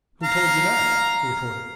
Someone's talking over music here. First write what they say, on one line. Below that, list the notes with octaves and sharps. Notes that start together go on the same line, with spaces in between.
"Who told you that?" he retorted.
F5 A#5